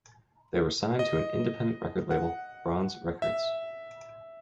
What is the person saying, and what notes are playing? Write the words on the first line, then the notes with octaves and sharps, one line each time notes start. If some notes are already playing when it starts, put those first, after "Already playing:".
They were signed to an independent record label, Bronze Records.
D#5
F#5
E5